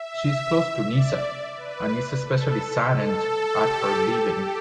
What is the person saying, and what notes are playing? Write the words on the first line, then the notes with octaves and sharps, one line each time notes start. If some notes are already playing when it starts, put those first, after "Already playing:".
She is close to Nyssa, and is especially saddened at her leaving.
Already playing: E5
D5
B4
A4
A4
A4
G4
G4